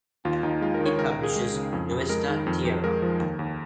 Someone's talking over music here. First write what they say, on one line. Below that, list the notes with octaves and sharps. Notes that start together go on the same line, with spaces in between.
It publishes "Nuestra Tierra".
D#2 F4
D#2 D#4
G#3 F4
A#4
D#3
C#5
C#2 A#4
A#4
C#2
G#4
G#3
C#3
F2
F2
G#3 A#4
D#3
F2
F2
G#3 A#4
F3
D#2
D#2